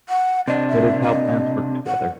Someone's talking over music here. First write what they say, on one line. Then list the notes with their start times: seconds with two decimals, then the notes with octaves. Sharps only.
It is how plants work together.
0.09 F#5
0.48 C3 D4 D#5
0.69 E5
1.01 D#5
1.87 F#5